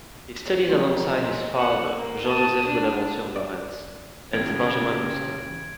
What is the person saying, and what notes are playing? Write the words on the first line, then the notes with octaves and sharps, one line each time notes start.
He studies alongside his father, Jean-Joseph Bonaventure Laurens and Benjamin-Constant.
F3 F#3 C4 C#5
D#3
G#3
F#5
A#3
A5 D#6
D4
D5
C#3 E3 B3 C#4 G4 G#6 D7